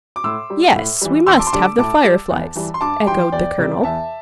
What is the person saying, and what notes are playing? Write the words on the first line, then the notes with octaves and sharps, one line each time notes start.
"Yes, we must have the Fireflies," echoed the colonel.
D6
A2 C6 E6
G3
A2
E3 G3
E2 C6 E6
A5 D6
C6
D3 G3 A5 D6
A2 A5 D6
G3
E2
E3 G3
C6
G2 A5 D6
E3 G3 G5 C6
E2 D5 G5
C3 G3
E2 E5 A5